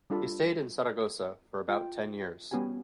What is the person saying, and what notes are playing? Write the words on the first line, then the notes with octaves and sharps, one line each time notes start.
He stayed in Zaragoza for about ten years.
G3 D4 F4 A4 B5
F4 G5
G3 B3 C#4 F#4 G4 G#5